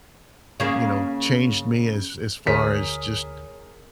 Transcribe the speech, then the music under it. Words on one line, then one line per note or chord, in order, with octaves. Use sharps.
you know, changed me as as far as just
C#3 A#3
D2 G#4 A#4 C#5 B6